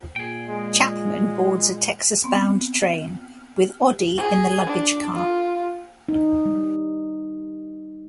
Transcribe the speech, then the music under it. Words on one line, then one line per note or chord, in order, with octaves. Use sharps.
Chapman boards a Texas-bound train, with Odie in the luggage car.
A#2 G#4 G5
G#3
B3 C4
G#4
D4
F4
D#4
G3